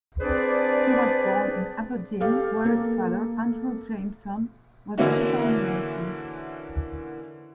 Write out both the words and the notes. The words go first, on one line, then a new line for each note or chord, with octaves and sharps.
He was born in Aberdeen, where his father, Andrew Jamesone, was a stonemason.
C4 D4 G#4 B4 C5 D5
G4 A4 F5
A#3 A4
D3 E3 A#3 C#4 E4 F#4